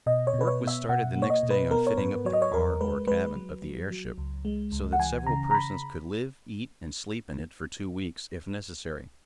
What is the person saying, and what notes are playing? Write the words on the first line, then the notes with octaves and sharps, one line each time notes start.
Work was started the next day on fitting up the car, or cabin, of the airship, so that several persons could live, eat and sleep in it for two weeks, if necessary.
B2 D#5
C#5
B2
B4
C#5
B3
E5
B2 F#5
A#3
C#5
D#5
B2
B4
B3 A#4
C#5
G#2 B4
F#3 C#5
D#5
C#5
E2 A#4
G#3 B4
G#3 B4
F#3
F#3
F#3
C#2
G#3
C#2
F#5
E3 G#5
C#3 A#5
A#5
B5